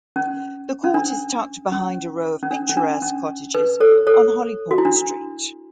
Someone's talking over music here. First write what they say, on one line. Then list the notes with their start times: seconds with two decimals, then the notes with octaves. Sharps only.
The court is tucked behind a row of picturesque cottages on Holyport Street.
0.16 C#4
0.84 C#4
0.94 D4
1.72 C#4
2.43 C#4
2.51 D4
2.69 C#4
2.77 D4
3.02 C#4
3.55 B4
3.80 A4 C#5
4.07 A4 C#5
4.71 F#4
4.78 E4
4.85 D4